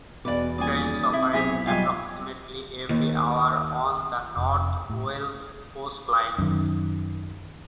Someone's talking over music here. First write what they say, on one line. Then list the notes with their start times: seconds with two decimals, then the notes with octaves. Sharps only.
Trains operate approximately every hour on the North Wales Coast Line.
0.25 E2 B2 F#4 B4 D5 D6
0.58 D#1 D5 G#5 D#6
1.13 C3 E4
1.33 B1 C3 C4 E4 G#4 C#5 B6
1.67 B2 F#3 G3 F4 G4 C#5 G#5
2.89 D#2
4.37 F1
4.90 A2
6.38 F#2 D#3